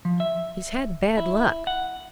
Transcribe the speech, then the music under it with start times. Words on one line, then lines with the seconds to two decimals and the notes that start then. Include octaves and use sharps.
"He's had bad luck."
0.05 F3
0.20 E5
1.17 E4
1.67 F#5